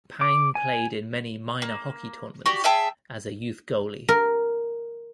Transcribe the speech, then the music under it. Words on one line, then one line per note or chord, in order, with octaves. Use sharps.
Pang played in many minor hockey tournaments as a youth goalie.
D6
G#5
A#3
F#4 G4 D5
G#4 E5 G5 A5
A#4